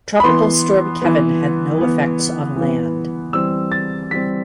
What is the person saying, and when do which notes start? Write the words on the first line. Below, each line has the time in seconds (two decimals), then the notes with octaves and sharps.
Tropical Storm Kevin had no effects on land.
0.20 B5
0.24 E3 B3 C6
1.02 E3 B3
1.78 E3 B3
2.56 E3 B3
3.33 E3 G3 C4 E6
3.72 A6
4.11 E3 G3 C4 B6